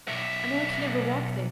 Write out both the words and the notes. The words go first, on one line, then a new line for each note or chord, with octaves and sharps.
I know I can never walk there.
B1 E5